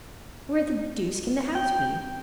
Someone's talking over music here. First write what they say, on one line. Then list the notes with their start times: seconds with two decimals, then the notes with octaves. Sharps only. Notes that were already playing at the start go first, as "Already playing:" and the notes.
Where the deuce can the house be?
1.55 G5